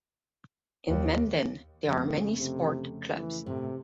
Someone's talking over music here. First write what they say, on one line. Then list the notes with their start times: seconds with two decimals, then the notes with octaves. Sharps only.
In Menden there are many sport clubs.
0.88 D#2
1.86 F2 C#3 A3
2.39 C3
3.14 E3
3.46 A2 C3